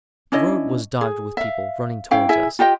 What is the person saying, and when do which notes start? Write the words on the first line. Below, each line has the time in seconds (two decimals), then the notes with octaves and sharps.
The road was dotted with people running towards us.
0.32 C#4 D4 E4 D#5
1.01 G#4
1.37 E5 F5
2.11 C#4 E4 F5 G5
2.29 E4 G#4 E5 G#5
2.59 F4 G4 D#5 G5